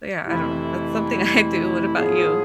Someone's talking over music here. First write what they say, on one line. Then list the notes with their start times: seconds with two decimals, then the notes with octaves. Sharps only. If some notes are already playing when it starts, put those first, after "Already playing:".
but, yeah, I don't know. That's something I do. What about you?
0.24 F2 C3 E3 A3 E4
1.95 A2 F3 B3 F4 G#4